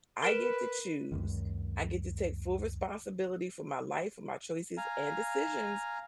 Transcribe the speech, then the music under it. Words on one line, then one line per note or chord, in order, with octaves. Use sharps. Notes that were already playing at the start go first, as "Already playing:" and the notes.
I get to choose, I get to take full responsibility for my life, for my choices and decisions,
A#4 B4 D7 E7
C#2 F#2 D#3
F5 G#5 A#5